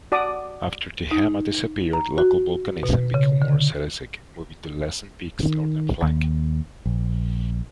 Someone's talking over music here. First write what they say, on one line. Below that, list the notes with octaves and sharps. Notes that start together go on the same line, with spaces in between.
After Tehama disappeared, local volcanism became more silicic, moving to Lassen Peak's northern flank.
F#4 D5 A5 D6 D#6
D#4
A#5
F#4
B2
C#3
D3
D#3
D#2
A#1